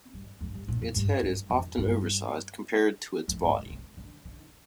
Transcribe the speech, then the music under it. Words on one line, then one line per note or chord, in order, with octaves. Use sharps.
Its head is often oversized compared to its body.
G2
F2
G2
A#2
F2
G2
G2
F2
G2
F2
G2
C3
C3
D3
D3